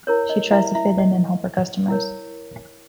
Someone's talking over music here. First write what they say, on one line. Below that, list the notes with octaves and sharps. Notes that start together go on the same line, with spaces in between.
She tries to fit in and help her customers.
E4 A#4 C#5
D#5
E4 E5
E4 E5
D#5
E4 A#4 C#5